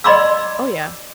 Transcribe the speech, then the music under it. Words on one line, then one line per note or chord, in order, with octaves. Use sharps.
Oh, yeah.
D5 D#5 B5 C6 D6 E6